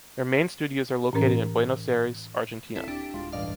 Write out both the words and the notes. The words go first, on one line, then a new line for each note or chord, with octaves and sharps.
Their main studios are located in Buenos Aires, Argentina.
A2 E3 C#4 A#4 A#5
D#1 G#1 C4 E4 A4
D4 G4
D1 G#3 F4
A1 G2 D5 D#5 F5